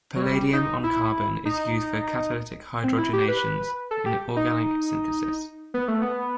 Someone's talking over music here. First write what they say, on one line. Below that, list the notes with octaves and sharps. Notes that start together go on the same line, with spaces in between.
Palladium on carbon is used for catalytic hydrogenations in organic synthesis.
F#3
G3
D#4
E4
D#4
C4
E4
G4
B4
A4
G4
D#4
B3
A3
B3